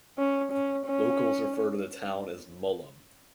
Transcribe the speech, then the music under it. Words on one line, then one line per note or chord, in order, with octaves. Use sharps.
Locals refer to the town as "Mullum".
C#4
C#4
C#4